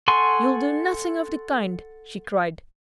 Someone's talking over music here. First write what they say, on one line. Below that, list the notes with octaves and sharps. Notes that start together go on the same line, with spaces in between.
"You'll do nothing of the kind!" she cried.
A4 F#5 G#5 C6 C#6